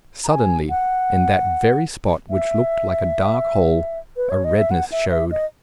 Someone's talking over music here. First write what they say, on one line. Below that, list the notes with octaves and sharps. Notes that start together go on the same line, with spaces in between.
Suddenly, in that very spot which looked like a dark hole, a redness showed.
A#5
G#5
F#5
E5
B4
C#5
D#5
E5
F#5
E5
E5
D#5